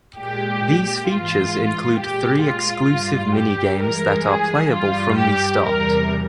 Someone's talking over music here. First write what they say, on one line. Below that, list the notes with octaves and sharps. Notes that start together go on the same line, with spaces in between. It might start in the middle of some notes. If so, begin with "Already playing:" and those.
These features include three exclusive minigames that are playable from the start.
A#2 G#3 G4
G#2 E3 G#3 F4
A#2 G#3 G4
F4
G2 G3
G4
G2 E3 G#3 A#4
G#4
G2 G3 F4
G4
E2 C3 G3 A#4